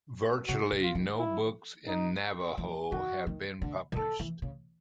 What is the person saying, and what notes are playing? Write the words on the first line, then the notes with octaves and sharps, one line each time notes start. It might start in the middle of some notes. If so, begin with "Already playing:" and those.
Virtually no books in Navajo had been published.
C#3 F#4
D3
F4
D#3
E4
D#4
E3
D#3 F#4
D#3
D3
D3
D#3 A4
E3
C#3